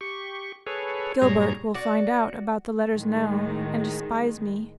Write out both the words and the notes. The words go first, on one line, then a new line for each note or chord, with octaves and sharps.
"Gilbert will find out about the letters now, and despise me."
G4 C#6
G#4 A4 B4 C#5
G2 A#2 G3 G#4 C#5 A#5
F#4 D5
A2 D#3 G#3